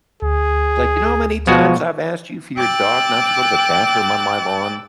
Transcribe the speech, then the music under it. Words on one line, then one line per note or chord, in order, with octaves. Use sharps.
Like, "You know how many times I've asked you for your dog not to go to the bathroom on my lawn?
D2 G#4
B2 F3 G#3 F#4
G5 D6 E6 F#6 A6